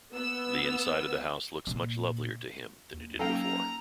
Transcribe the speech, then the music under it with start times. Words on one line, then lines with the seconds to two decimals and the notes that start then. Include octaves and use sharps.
The inside of the house looks much lovelier to him than it did before.
0.14 B3 E6
1.67 A#2
2.93 D#2
3.19 F#3 A#3 C#4 D#4 A4 F5 G5 A#5